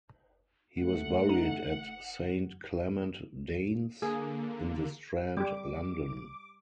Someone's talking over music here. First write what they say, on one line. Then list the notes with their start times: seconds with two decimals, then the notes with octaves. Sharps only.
He was buried at Saint Clement Danes in The Strand, London.
0.80 A3 F#5
1.29 D#4
4.02 D3 A#3 G#4
5.37 G3 G4 D6